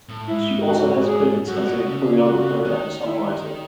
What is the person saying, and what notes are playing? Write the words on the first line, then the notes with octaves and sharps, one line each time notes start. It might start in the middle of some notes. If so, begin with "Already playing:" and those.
She also has credits as a choreographer and songwriter.
A2
G#2 E4
F#4
G#4
F#2 F#4
G#2
B2
B2
C#3
F#4
D#3
E4